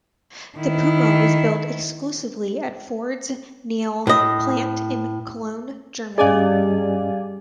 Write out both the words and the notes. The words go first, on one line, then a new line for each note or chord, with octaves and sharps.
The Puma was built exclusively at Ford's Niehl plant in Cologne, Germany.
D#3 E4
A2 D#5
G2 G3 C#4 G#4 D5 D#5 F5 G#5